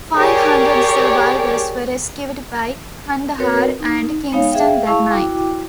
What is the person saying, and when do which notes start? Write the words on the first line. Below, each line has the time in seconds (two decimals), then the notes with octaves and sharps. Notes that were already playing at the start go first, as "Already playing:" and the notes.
Five hundred survivors were rescued by "Kandahar" and "Kingston" that night.
0.16 G4 G#4 A#4 C#5 D5
3.38 C4 F#4 A#4 B4 C#5
3.80 D#4
4.32 G#3 B3 D#4 C#5 F5
4.52 G#4 E5 F5 G5
4.87 E4 G#4 F5 A5 C#6 E6
5.11 E4 F#4 G5 D6